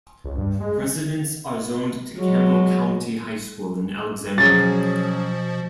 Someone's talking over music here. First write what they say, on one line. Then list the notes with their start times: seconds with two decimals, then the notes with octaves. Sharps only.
Residents are zoned to Campbell County High School in Alexandria.
0.24 C#2
0.37 G2
0.60 G#3
2.17 F#3 G#3
4.38 B2 F3 F#3 C#4 G#4 A6